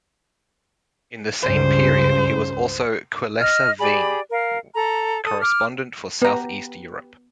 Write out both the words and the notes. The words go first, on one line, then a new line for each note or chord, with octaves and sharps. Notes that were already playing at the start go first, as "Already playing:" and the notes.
In the same period he was also Querleser Wien Correspondent for South East Europe.
C#2 G2 C#3 C5
D#5 F6
G4 G#4 D5 B5
A#4 F5
A4 A#5
A4 D#6
D6 F6
B3 G4 B4 A#5